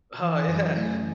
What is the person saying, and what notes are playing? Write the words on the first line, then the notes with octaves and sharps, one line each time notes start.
Oh yeah,
E3 G#5
F#2
A3